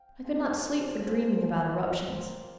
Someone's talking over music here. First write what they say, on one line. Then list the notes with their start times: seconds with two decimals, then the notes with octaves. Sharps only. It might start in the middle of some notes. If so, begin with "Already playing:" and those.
I could not sleep for dreaming about eruptions.
Already playing: F5 G5
0.25 F3 G#3 C4 F4
0.62 F3 G#3 C4 F4
0.99 F3 G#3 C4 F4
1.37 A#3 F4 G#5
1.74 A#3 F4 C5
1.83 A#4
1.93 C5
2.02 D#5
2.12 A#3 F4 G5
2.41 F5